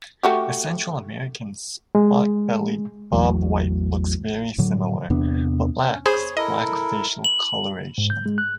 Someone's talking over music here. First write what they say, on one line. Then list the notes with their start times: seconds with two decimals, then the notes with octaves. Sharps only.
The Central American spot-bellied bobwhite looks very similar, but lacks black facial coloration.
0.23 A3 F#4 G4
1.95 G#3
3.13 A1 E2 A2 F#3
4.58 A2 D3 F#3
5.10 E2 C3 B3 D4
5.81 C#4
6.06 G#4 C5 C#5 B5
6.37 E4 A4 A#4 D#5
7.24 F#7
7.98 G#2
8.10 G6
8.26 G#3
8.38 F#6